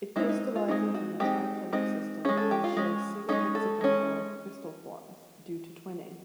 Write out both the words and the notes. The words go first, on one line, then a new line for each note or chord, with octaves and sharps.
It crystallizes in the triclinic system and shows pseudo-hexagonal crystal forms due to twinning.
G#3 C4 D#4 E4
D#4
F4
G#3 C4 D#4
F#4
G#3 C4 D#4 G4
G#3 C4 D#4
G#3 C#4 G#4
A4
G4
F4
G#3 C#4
G#3 C#4 D#4
A4
G#3 C#4